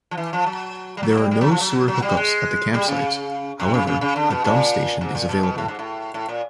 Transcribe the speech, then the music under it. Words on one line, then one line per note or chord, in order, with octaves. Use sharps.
There are no sewer hookups at the campsites; however, a dump station is available.
F3
E3
F3
F#3
G3
F#3
G3
G3
F#3
F3
F#3
F#3
G3
G#3
G3
C#3
C3
C#3
C#3
C#3
D3
B2
A#2
G#2
A#2
B2
B2
A2
G#2
A2
A2
A#2